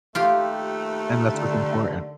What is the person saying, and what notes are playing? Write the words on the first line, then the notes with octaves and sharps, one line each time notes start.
And that's what's important.
D#2 F3 A3 F4 G4
D3